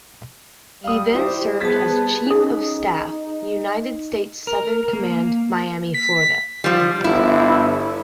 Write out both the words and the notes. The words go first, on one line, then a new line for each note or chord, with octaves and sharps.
He then served as Chief of Staff, United States Southern Command, Miami, Florida.
G3 F5 D#6
E4 G4 C5
B3 G#4 C5 A5 A6 B6
C#4 D#4 G#4
A#4
A#3
B6
F3 G3
G1 E4